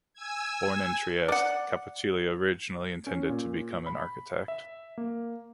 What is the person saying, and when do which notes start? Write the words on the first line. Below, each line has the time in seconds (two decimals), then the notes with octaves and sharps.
Born in Trieste, Cappuccilli originally intended to become an architect.
0.13 G#5 E6 G#6
1.28 D5 F#5
3.07 C#4
3.29 A#2
3.86 B5
4.48 E5
4.98 A#3